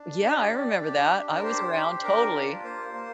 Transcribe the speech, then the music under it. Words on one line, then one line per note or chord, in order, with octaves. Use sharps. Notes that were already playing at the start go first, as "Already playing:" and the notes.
Yeah, I remember that, I was around, totally.
Already playing: D4
G4 D5
G4
D4
D4
A#4
G4 C5
G4
D4 A#4
F4
A#3 C5
A#3